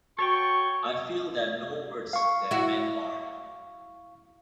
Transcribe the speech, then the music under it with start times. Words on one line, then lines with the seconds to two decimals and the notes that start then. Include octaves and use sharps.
I feel they're no worse than men are.
0.19 F#4 A4 C#5 G5 C#6
2.13 F5 C#6
2.51 E4 F#4